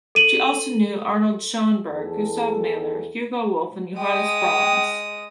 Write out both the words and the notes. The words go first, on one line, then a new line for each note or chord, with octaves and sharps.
She also knew Arnold Schoenberg, Gustav Mahler, Hugo Wolf and Johannes Brahms.
A4 D#7 F#7
E2 G#4 A4
G#3 G5 D#6